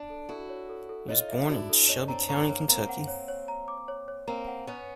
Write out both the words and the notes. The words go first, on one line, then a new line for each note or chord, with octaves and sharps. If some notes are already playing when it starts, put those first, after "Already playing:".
He was born in Shelby County, Kentucky.
Already playing: D4
A4
E4 F#4 A4
C#5
A4
A4
D#4 F4 C#5
E5
D4 E4 F#4
A4
C#4 D#4 C#5
C4 D4 A#5
B3 C#4 A#5
A#3 C4 C#5
A#3 C4 A#5
F#5
C#5
C#5
A#5
D6
C#5
C#5
A#3 C4 A#5
F#5
B3 C#4 C#5